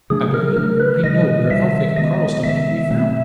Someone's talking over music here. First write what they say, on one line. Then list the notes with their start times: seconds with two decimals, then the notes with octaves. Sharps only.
I believe I know where Elphick and Cardlestone can be found.
0.10 C#3 F#3 A3 D4 G#4
0.34 A#4
0.56 C#3 F#3 A3 D4 A#4
0.80 B4
1.03 C3 D#3 G3 D#5
1.50 C3 D#3 G3 E5
1.96 D#3 G#3 B3 D#5
2.43 D#3 G#3 B3 E5
2.90 B2 F#3 A3 C4